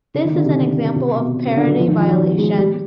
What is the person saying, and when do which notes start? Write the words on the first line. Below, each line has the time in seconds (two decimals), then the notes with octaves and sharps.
This is an example of parity violation.
0.14 C#3
0.25 D#3
0.35 D3
0.45 C3
0.96 C3
1.16 B2
1.37 B2
1.46 C#3
1.57 D3
1.67 F#3
1.78 F3
1.88 D#3
1.98 F3
2.08 F#3
2.18 F#3
2.38 G#3
2.59 G3